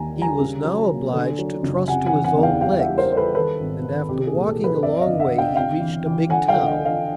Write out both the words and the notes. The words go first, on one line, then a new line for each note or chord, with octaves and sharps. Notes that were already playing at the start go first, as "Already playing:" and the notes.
He was now obliged to trust to his own legs, and after walking a long way he reached a big town.
Already playing: D#2 D#3 G#5 A#5
G3
G#5 A#5
C#3
F#3
A#3
D3
F#3
F#1
C3 F#5 G#5
F#5 G#5
E3
F#5 G#5
E2
F5 G5
G3 F5 G5
F5
E5 F#5
G3
A#4 C5
G3 C5
A4 B4
D#3 A4 B4
G#1
D#3
C2 G4
G#4
A#2
G4 A4
F3
A4 B4
F2 D5 E5
D#5 F5
G1
E5 F#5
G1
F5 G5
C3 F5 G5
E3
E3
D3 F#5 G#5
F5 G5
D3
F#5
D#5 F5
D3
D#5 F5